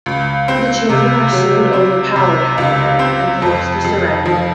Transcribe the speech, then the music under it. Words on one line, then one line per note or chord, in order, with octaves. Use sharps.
The children are soon overpowered, however, and forced to surrender.
C#2
C4
C3
F#3
C4
C3
C#2
C4
F2
F2
F3